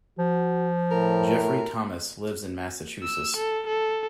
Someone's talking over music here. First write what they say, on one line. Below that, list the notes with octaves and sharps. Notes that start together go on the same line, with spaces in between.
Jeffrey Thomas lives in Massachusetts.
F3 F#4
A2 A#4
E6
A4
A4